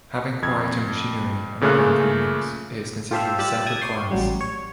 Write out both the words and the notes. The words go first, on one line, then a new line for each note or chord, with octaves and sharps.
Having quieter machinery and other improvements, it is considered a separate class.
F2 G#6
A#2 C#3 A3 G#4 F6 F#6
F4 G4 A4 C5 E5 F5
G3 G4 E5 E6 F#6 A6
G5 A5 D#6 G#6
C#5 D5 G5 C6
A1 F#3 G3
C#5